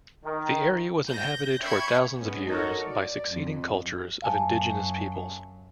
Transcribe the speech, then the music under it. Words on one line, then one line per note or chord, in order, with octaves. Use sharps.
The area was inhabited for thousands of years by succeeding cultures of indigenous peoples.
D#3
G6 A#6
E5 G5 B5 C#6 G#6 C7
G#2 B3 C#4
D#4 F#4 A4 A#4 C#5
D5
F2
F#2 F5 G#5 A5